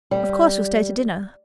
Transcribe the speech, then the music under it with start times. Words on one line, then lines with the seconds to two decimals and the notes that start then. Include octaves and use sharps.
"Of course you'll stay to dinner?"
0.11 G3